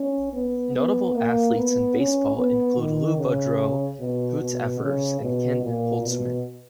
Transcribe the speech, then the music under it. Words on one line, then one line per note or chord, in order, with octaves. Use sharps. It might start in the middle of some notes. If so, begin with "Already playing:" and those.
Notable athletes in baseball include Lou Boudreau, Hoot Evers and Ken Holtzman.
Already playing: C#4
B3
B3
A#3
B3
C#4
B3
D#3
C#3
B2
B2
C#3
B2
A#2
B2